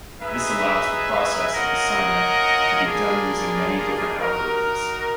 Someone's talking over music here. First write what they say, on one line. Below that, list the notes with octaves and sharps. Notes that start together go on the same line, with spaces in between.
This allows the process of assignment to be done using many different algorithms.
D#4 G#4 B4 E5
C#4 F4 A#4 D#5 F#5
A#3 D4 F4 G#4
D#4 F#4 A#4